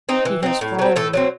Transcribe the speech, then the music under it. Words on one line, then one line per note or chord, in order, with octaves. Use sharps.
He has fallen.
C4 D#4
E3
C4 D#4
A2
F#3 A3 C4
A2 A4
F#3 A3 C4